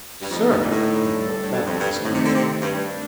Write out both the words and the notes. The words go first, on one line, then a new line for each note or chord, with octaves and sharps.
"Sir!" in profound astonishment.
G2
F2 D3 A3 D#4 A4
G2
A#2
A2
G3 D4 A4
A2
G2
F2
G2
D#3 A3 C4
A2
C3
D3
C3
G2
G2 A3 D4